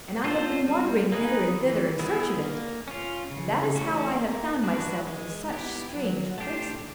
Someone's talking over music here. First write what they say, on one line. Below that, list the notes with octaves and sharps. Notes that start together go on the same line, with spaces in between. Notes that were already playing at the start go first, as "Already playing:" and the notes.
And I have been wandering hither and thither in search of it, and that is how I have found myself in such strange places.'
C4 F4 A4 C5
G3
A#3 D#4 G#4 B4
E3
G3 B3 E4 G#4
A#3
C#4 F4
C#3
E3 A3 C#4 F#4
A#3
D4 F#4 B4
G#3
B3 E4 G4
F#3
A3 D4 G4 C5